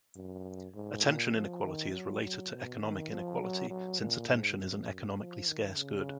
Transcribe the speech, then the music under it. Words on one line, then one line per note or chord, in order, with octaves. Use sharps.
Attention inequality is related to economic inequality since attention is an economically scarce good.
F#2
G#2
A#2
F3
D#3
F#3
F#3
B2
D#3
F3
F#3
F#3
A#2
G#2
F#2
F3
D#3
C#3